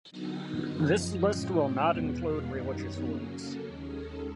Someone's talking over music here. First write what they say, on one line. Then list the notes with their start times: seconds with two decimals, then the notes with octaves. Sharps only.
This list will not include religious wars.
0.10 D3 F#3 B3 D#4
0.69 F#2 C#3 F3 C5
0.99 D#5
1.28 A2 F3 G#3 C#4 G5
1.87 E2 B2 G#3 B3 F#5
2.16 F5
2.45 F#2 D#3 G3 B3 D#4 D5
2.74 C#5
3.05 C#3 F#3 A#3 C#4
3.34 A4
3.63 D#2 D#3 G#3 C#4 A#4
3.92 A4